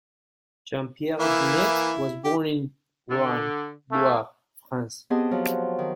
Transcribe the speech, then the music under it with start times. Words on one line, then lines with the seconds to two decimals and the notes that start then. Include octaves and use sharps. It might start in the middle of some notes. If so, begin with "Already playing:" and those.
Jean-Pierre Jeunet was born in Roanne, Loire, France.
1.20 E3 A#3 E4
2.24 G4
3.09 D3
3.92 E3 F3 A3 A#3
5.10 B3 C4 G4 G#4 D#5 A5
5.31 F3 F#3 F#4
5.79 D#3